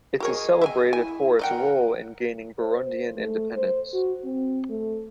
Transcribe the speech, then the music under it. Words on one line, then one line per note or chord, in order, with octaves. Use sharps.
It is celebrated for its role in gaining Burundian independence.
F#4 G#4 A#4 C#5 D#5
E5 G5 G#5
E4 G#5
A#4 D5 D#5 F#5 G5
C5
A3
C5
F#4
C4
A3